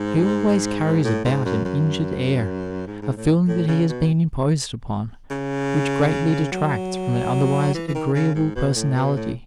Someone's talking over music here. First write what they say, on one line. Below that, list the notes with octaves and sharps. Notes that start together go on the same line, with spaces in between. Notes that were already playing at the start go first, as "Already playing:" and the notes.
He always carries about an injured air, a feeling that he has been imposed upon, which greatly detracts from an otherwise agreeable personality.
Already playing: G#2
A2
G#2
F#2
F#2
G#2
G#2
A2
A2
C#3
B2
C#3
F#3
E3
E3
D#3
C#3
G#2
B2
A2
B2
A2